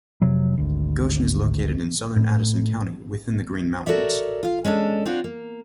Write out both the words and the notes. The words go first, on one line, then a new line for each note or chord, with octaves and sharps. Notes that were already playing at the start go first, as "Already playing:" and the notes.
Goshen is located in southern Addison County, within the Green Mountains.
F1 C3 F#3
G#1 D2
A2
F#4 A4 A#4 C#5 D5 E5
F4 F5
G#3 C#4 D4 A4
C4 D4 F4 F#4 C#5
A#3